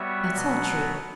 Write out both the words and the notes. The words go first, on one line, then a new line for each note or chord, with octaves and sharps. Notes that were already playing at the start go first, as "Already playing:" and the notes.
That's all true.
Already playing: G3 B3 F#4 C#5 E5
B2 F#3 B3 F#4